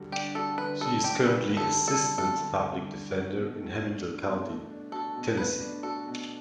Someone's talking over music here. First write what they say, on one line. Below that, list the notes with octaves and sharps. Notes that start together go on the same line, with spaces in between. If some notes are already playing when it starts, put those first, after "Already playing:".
She is currently Assistant Public Defender in Hamilton County, Tennessee.
Already playing: D3 G3 F#4
D4 G4
F#4 A4
D3 B4
G3 A4
D4 G4
F#4 B4
D3
A4
G3
A4
D4
F#4 A4
D3
G3
D4
F#4
B2
A3
D4
F#4
B2
A3
D4
F#4 A4
B2
A3 B4
D4
F#4 A4
B2